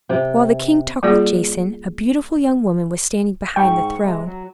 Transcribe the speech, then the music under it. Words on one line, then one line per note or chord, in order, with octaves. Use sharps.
While the king talked with Jason, a beautiful young woman was standing behind the throne.
C3 G5
G3 A#3 F4 G#4 D5
G#2 G5 C#6
C3 G#3
F#3